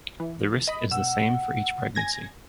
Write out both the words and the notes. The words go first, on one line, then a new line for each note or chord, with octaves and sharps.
The risk is the same for each pregnancy.
E3
D#5 B5
B2 F#5 E6
G#5 G#6 A#6